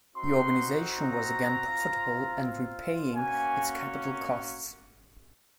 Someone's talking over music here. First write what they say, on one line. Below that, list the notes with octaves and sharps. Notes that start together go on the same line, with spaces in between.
The organisation was again profitable and repaying its capital costs.
C4 D#4 F#4 C6
A#5
C4 F4
A#3 C#4 F#4 G#5